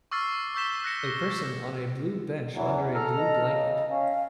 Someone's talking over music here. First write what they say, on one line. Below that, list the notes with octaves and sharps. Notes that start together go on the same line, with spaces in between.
A person on a blue bench under a blue blanket.
C#6 D6 E6 F6 A6 C7
C#6 E6 G6 B6 E7 G7
F#6 A#6 C#7 E7
E2 E3 F#3
A4 A#5 F6
D#5
C#3
C#4 F5